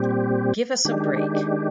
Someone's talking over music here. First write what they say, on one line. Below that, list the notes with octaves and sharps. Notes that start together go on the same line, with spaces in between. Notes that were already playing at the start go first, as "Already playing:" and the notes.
Give us a break.
Already playing: A#2 G3 C4 G4
D#3 G#3 D4 G4